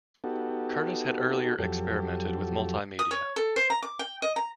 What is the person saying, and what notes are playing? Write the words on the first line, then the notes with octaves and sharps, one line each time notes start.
Curtis had earlier experimented with multimedia.
B3 D#4 F#4 G4 A4
F2 F#3 G4 A4
D#6
C#5
A4
C5
A#5
D6
G5
D#5
A#5